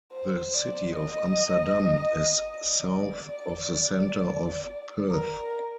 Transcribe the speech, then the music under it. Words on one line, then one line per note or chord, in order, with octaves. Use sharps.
The city of Amsterdam is south of the center of Perth.
C5
D5
D#5
D5
A#4